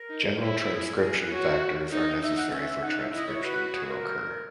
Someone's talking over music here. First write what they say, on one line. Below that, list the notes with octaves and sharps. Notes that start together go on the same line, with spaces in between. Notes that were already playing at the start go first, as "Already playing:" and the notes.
General transcription factors are necessary for transcription to occur.
Already playing: A#4
D#4
E4
G#4
G#4 A#4
B4
F#4 C#5
D#4 D#5
D#4 E5
F#5
C#4 E5
E5
D#4 F#5
E5
E4 D#5
C#5
F#4 B4
G#4
A#4